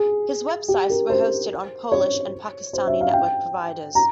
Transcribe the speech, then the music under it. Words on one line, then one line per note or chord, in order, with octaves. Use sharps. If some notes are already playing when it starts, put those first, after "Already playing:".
His web sites were hosted on Polish and Pakistani network providers.
Already playing: G#4
G4
A#4
C5
C#5
C5
E5
F5
G5
A#5